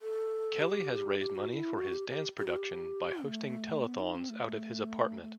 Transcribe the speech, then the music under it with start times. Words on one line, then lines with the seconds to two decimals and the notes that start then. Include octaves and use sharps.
Kelly has raised money for dance production by hosting telethons out of his apartment.
0.02 A4
0.61 G4
1.20 G4
1.35 F#4
1.49 F#4
1.53 E4
1.79 F#4
1.94 G4
2.09 G4
2.38 G4
2.47 F#4
2.57 G4
3.26 A3
3.85 B3
3.99 D#4
4.15 C4
4.30 A3
4.44 A3
5.22 A3